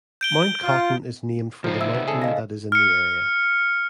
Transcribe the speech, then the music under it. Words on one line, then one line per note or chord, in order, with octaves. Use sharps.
Mount Cotton is named for the mountain that is in the area.
G6 D7 G7
F4
C#3 F3 D#4 C5
E5 E6
B3
G#4 A4
D#5 F5 A#6
F6 C#7